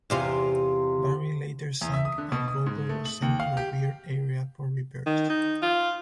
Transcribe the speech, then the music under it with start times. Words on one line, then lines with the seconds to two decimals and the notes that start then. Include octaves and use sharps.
"Barry" later sank, and "Roper" was sent to a rear area for repairs.
0.10 E2 C3 F4
1.81 E2
1.94 E5
2.05 D#6
2.18 D3
2.32 B2
2.48 D#6
2.66 G#2
2.89 A3
3.05 F#7
3.22 D#2
3.40 F5
3.57 G4
5.06 D#3
5.30 D#4
5.62 F4